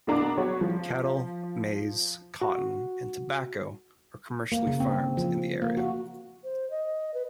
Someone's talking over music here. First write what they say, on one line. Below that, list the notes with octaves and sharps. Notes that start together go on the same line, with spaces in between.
Cattle, maize, cotton and tobacco are commercially farmed in the area.
B2 A#3 D4 A#5 D6
F#3 B3 F#4 C#5
F3
F#4
A#3
C#3
C4
F3
A#3
F#4
C5
D#5
B4